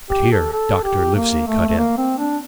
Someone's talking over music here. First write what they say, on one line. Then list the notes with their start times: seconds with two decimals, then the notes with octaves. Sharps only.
But here Dr. Livesey cut in.
0.10 G4
0.32 A4
0.52 A4
0.83 G4
1.15 A#3
1.46 A3
1.68 A3
1.78 A#3
1.98 C4
2.18 D4